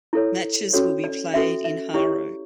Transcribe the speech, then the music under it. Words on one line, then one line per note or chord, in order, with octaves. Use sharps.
Matches will be played in Haro.
E4 A4 C#5
C#4 F#4 A4 C#5
D5
C#4 F#4 A4 E5
E5
E4 G4 C#5 D5